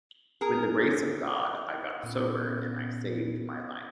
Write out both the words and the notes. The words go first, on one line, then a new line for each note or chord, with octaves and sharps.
With the grace of God, I got sober and I saved my life.
G#4 A#4
A#2 B3 C#4